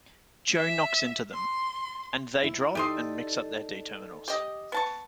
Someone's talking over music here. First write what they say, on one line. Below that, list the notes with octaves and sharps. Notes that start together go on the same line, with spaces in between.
Joe knocks into them, and they drop and mix up their D-Terminals.
E5
C6
E4
D#4 G4 A4 D5 D#5 C6
G4 D#5
B3 A5 C#6